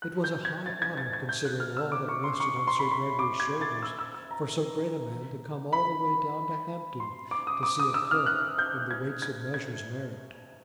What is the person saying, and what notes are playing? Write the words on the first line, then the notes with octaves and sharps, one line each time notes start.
It was a high honour, considering all that rested on Sir Gregory's shoulders, for so great a man to come all the way down to Hampton to see a clerk in the Weights and Measures married.
F#6
G6
G#6
A6
G#6
A6
G#6
G6
F#6
F6
E6
D6
C#6
C6
C#6
C#6
C6
B5
C6
D6
G#6
A6
E6
E6
E6
A#5
B5
C6
D6
D#6
D6
D#6
E6
F6
F#6
G6
G#6
G#6
G#6